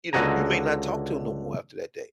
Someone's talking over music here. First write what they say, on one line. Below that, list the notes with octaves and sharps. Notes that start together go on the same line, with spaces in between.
you know, you may not talk to 'em no more after that day.
C#2 D3 F#4 D#5 G#5 A#5